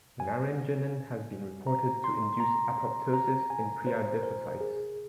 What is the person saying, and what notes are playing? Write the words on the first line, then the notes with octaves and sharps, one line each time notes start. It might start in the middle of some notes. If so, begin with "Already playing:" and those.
Naringenin has been reported to induce apoptosis in preadipocytes.
G#5
A#5
C6
A#5
A#5
G#5
C5
A#4
G#4